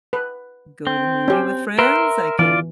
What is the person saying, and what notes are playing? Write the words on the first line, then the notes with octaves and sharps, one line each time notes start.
go to the movie with friends, I can
B4
C4
C#4 G4
A#4 B4 E5 C6
E3 F4 D5